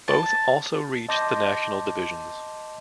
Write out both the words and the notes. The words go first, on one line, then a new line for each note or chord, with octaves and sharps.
Both also reached the national divisions.
A5
D#5 A5 C6 D6 G6 A#6